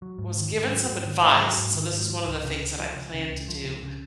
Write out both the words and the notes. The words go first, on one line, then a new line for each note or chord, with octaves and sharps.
was given some advice, and so this is one of the things that I plan to do,
F#3
G#2
D#3
G#2
F#3
G#2
D#3
G#2
F#3
G#2
D#3
G#2
F3
C#2
C#3
C#2
F3
C#2
C#3
C#2
F3
C#2
C#3